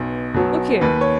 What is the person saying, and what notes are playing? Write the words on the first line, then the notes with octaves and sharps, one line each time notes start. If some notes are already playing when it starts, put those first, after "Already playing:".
Look here!
Already playing: B1 B2
B2 F#3
D#2 B4
C#5